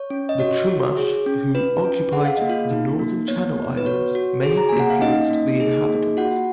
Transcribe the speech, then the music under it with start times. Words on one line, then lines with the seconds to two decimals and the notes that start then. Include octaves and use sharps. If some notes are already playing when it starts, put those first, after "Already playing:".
The Chumash, who occupied the northern Channel Islands, may have influenced the inhabitants.
Already playing: C#5
0.10 C#4
0.29 D#5
0.39 F#4 C#5
0.68 F#4
0.97 G#4
1.26 C#4
1.55 F4 B4
1.84 C#4
2.13 G#4 F#5
2.25 F5
2.37 A#3 D#5
2.49 F4 F5
2.70 D#4
2.99 A#3
3.28 B3 C#5
3.58 B3
3.77 B4
3.86 F#4 C#5
4.15 F#4
4.43 G#4
4.57 A#5
4.69 A#3 G#5
4.80 F#5
4.90 F5
5.01 C#4 D#4 D#5
5.31 A#3
5.60 G#4
5.89 A#3
6.17 F4 F#4 F#5